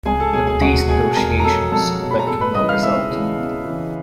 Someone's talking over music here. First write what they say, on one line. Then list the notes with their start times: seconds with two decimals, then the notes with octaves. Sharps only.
But these negotiations led to no result.
0.05 C#2 G#4 G#5
0.20 A4 A5
0.33 B2 F#3 G#4 G#5
0.47 G#4 G#5
0.61 C#2 F#4 F#5
0.89 B2 F#3 G#4 G#5
1.11 A5
1.16 C#2 A#4 A#5
1.40 A#5
1.44 B2 F#3 A4 A5
1.72 C#2 A4 A5
2.00 B2 F#3
2.11 B5
2.19 A#5
2.27 E2 A4 A5
2.41 B4 B5
2.55 C#3 E3 D#5 D#6
2.69 F5 F6
2.83 E2 E5 E6
3.11 C#3 E3
3.38 E2
3.65 C#3 E3